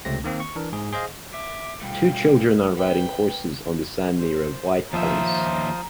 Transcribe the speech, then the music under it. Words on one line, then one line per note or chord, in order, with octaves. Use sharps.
Two children are riding horses on the sand near a white fence.
C#2 C3 A3 C4 A#6
D#3 A#3 C4
C#6
E3 D4 A#4
G#2 G#4
G#4 C5 D#5 F5
E5 D6
B2 G3 A3 F4 G5
B4 G5
C5
D#2 F3 F4 C5 E5 A#5 D#6